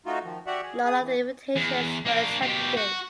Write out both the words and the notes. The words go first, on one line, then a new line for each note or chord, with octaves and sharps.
None of the invitations were accepted.
A3 D#4 F4 F#4
D#3 F3
D4 F#4 G4 D5 E5 F#5
G#4
G#4 D#6
E3
E2
A#3 D4
B2 G4
F#4